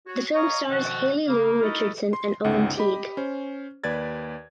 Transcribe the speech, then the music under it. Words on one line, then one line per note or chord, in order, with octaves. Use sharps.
The film stars Haley Lu Richardson and Owen Teague.
F#4 C#5
C#5 D#5 F5 A#5 C#6
B2 D#3 F3 A3 F#4
C#3 A#3
D#4 E4 F#4 A4 A#4 D#5
C6
G1 C#2 D#4 F#5
G4 D#5 B5
C#4 C5
D#2 B4 D5 G#6 A6